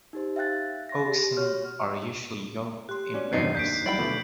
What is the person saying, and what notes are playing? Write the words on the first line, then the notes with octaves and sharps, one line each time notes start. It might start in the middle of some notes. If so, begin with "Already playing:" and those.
Oxen are usually yoked in pairs.
D#4 G4 C5
E5 F5 G5 F#6 A6
C6 A#6
G4
F#4 C#5 F6
G4 C6 F#6
C#4 F#4 C#5 D5
E2 G2 C3 F#3 D#4 C7
D#2 D4 G6 B6 D7
F#3 G3 E4 D5 G5 B5 F#7
B2 D3 F3 A3 B3 F4